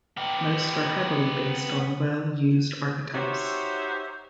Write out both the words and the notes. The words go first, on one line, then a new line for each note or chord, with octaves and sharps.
Most are heavily based on well-used archetypes.
B3 G4
D#4 F#4 G4 C5 C#5 E5